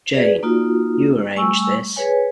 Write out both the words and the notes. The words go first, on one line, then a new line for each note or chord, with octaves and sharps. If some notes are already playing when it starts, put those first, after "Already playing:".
Jane, you arrange this.
G#4 B4 D5
A#3 D#4 F4 F#4
G3 A3 G#5 C#6 E6
G#4 B4 C#5 G#5